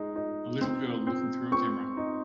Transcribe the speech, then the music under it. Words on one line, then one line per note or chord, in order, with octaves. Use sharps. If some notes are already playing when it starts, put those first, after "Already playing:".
A little girl looking through a camera.
Already playing: G#3 D#4
D#4
C4
C4
C4 C#6
D#4